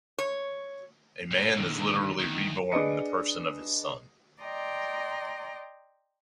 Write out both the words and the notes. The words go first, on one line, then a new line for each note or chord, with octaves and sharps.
A man is literally reborn in the person of his son.
C#5
A#2 C#3
D3 D#3
D2 D#3
D4 G#4 B4 D#5 C#7
D5 D#5 G5 A#5 C6